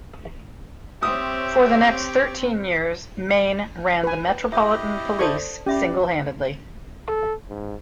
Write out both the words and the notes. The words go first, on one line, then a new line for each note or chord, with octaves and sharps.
For the next thirteen years, Mayne ran the Metropolitan Police single-handedly.
C4 G4 C#5 E5 D#6
B4 G#5
E4 G4 C#5 D#5 E5
A4 C5 D5 A5 C#6 D#6
C#4 G4 D5 E5 B5
A4
G#2